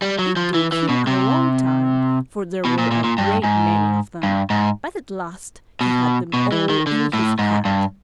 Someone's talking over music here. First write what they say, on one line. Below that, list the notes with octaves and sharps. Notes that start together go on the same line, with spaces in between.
It took him a long time, for there were a great many of them, but at last he had them all in his hand.
G3
F#3
F3
E3
E3
B2
C3
B2
A#2
A#2
A#2
G2
G#2
G2
G#2
B2
B2
E3
D#3
D3
A2
G#2
G2